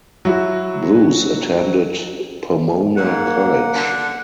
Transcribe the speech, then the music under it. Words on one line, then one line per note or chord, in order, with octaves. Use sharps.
Bruce attended Pomona College.
F#3 E4 F#4
G#2 A#3 F#5
D3